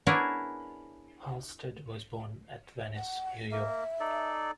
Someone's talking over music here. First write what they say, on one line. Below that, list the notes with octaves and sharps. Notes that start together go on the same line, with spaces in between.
Halsted was born at Venice, New York.
B3 D4 E4 G#4 A#4 C#5
F#5
A#3 E5
D#4 A4 D5